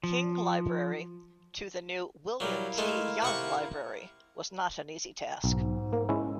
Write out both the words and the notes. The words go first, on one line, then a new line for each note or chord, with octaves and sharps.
King Library to the new "William T. Young Library" was not an easy task.
F3
F#3 G3 E4 A#4 F5
G#3 A3
C3 F#5 C#6
B1 G#2
A#3
G#3 C#4 E4